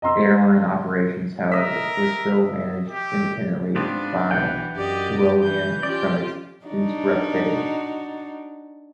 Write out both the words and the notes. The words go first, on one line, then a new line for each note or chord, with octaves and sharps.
Airline operations, however, were still managed independently by Tyrolean from its Innsbruck base.
D#5 A#5 C6 E6
A#4 D#5 E5
G4
G#2 B3 C4 D4 F4
B1 E3 F#5 G5
F#2 G4 D5 D#5
E3 G6
C#4 F4 G4 D5
D4 D#4 F#4